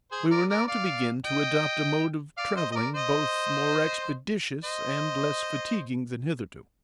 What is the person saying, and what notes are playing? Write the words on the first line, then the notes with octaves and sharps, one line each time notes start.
We were now to begin to adopt a mode of travelling both more expeditious and less fatiguing than hitherto.
G#4 C5
A#4 D5
A#4 D5
D5 F5
D#5 G5
D5 F5
C5 D#5
D#5
A#4 D5
C5 D#5
C5 D#5